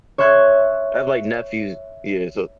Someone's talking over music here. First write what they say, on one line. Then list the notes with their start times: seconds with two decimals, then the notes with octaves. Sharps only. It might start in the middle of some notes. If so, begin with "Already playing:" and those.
I have, like, nephews. Yeah, so
0.18 C#5 E5 C6 F#6 G#6